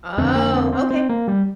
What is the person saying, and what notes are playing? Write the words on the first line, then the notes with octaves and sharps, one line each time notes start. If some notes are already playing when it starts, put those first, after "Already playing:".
Oh, okay.
F2 D3 C4
A#3
C4
C4
C4
A#3
G3